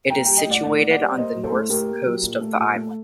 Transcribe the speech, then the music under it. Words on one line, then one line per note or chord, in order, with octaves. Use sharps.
It is situated on the north coast of the island.
A#3 G5 A#5
G3 G5 A#5
D#5 G5
A2 D5 F#5
A2 D5 F#5
A#3
D5 F#5
G3
A#3 C5 D#5
F#3
A4 C5
A2
A2 G4 A#4
A#3
F#3
A#2
A3
A#2
A3